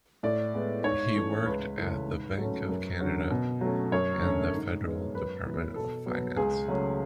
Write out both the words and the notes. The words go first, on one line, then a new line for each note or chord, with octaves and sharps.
He worked at the Bank of Canada and the Federal Department of Finance.
A2 D5
G#3 B3
G#2 C#5
E3 A3 C#4
C#2 B4
C#3 E3 A3 C#4
G#2
F#3 A3 C#4
F#2
D3 F#3 C#4
B2
F#3 A3 C#4
F#2 C#5
D3 A3 C#4
G#2
G#3 B3
F#2 B4
E3 B3
B2 A4
F#3 B3
C#2 G#4
C#3 F#3 A3 C#4